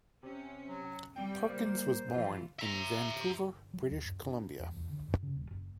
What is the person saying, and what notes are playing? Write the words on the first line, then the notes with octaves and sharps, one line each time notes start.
Perkins was born in Vancouver, British Columbia.
C3 C#4
F#3
G3 C4 G5
A#3 C5
G#2 E3 F3 F4
E5 A#5
F#3
D#2
F#2
D4
E2
E2
D3
F#2
C#3
D#1
F#1